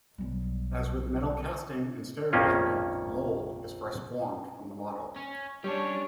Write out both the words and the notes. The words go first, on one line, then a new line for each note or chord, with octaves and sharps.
As with metal casting and stereotyping, a mold is first formed from the model.
B1 G3
A#1 F2 D#3 A#3 C#4 F4
C#4
G3 C#4 D4 C#5